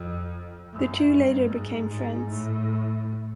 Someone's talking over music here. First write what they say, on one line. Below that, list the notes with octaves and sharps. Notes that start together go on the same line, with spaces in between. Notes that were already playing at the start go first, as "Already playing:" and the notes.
The two later became friends.
Already playing: F2
F#2
G2
G#2
G#2
A2